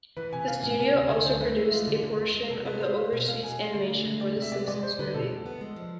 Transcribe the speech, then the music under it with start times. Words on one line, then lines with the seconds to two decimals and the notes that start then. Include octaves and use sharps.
The studio also produced a portion of the overseas animation for "The Simpsons Movie".
0.17 E3 B4
0.33 C3 G#5
0.48 E3 F5
0.63 A2 G#5
0.79 C3 G#5
0.94 D2
1.03 G#4
1.09 D3 A4
1.25 D2 C5
1.41 A3 B4
1.56 E3 E4
1.72 G#3 F4
1.87 D3
2.03 D3
2.19 E2
2.35 G#3
2.50 C3 A4
2.65 B3 B4
2.81 G#3 C5
2.96 B3 F5
3.13 B2
3.28 G#3 F5
3.43 B2 G#5
3.59 A3
3.75 D3
3.90 A3
4.06 D3
4.21 G#3 D5
4.37 C3
4.42 E5
4.52 B3 D5
4.68 G#3 D5
4.83 G#3 C5
4.99 D3 B4
5.14 B2 A4
5.30 E2
5.46 B3
5.61 G#3
5.76 F3